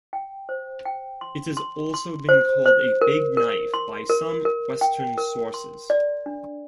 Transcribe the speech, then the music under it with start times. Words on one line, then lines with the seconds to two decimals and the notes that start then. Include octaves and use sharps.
It has also been called a "big knife" by some western sources.
0.13 G5
0.49 C5
0.85 G5
1.21 C6
1.57 C6
1.94 C6
2.29 C5
2.65 C5
3.01 A#4
3.37 A#4
3.74 C6
4.09 A#4
4.45 A#4
4.81 G5
5.18 A#4
5.54 C6
5.90 D5
6.26 D4